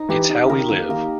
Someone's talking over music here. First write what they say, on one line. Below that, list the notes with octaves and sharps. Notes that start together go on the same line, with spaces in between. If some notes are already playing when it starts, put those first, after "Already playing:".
It’s how we live.
Already playing: D#4
E3 G4
D#4
C#3
D#3 A#4
D#3 A#3
D#3 A#3